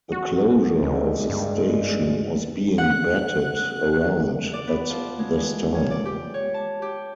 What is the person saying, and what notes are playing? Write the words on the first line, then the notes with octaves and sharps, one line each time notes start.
The closure of the station was being batted around at this time.
F#4
D2 G#3
G2
F#5 F#6
D5
B3
F3
G#3
G#3
C#4
D5
G4
C#5
A5
G4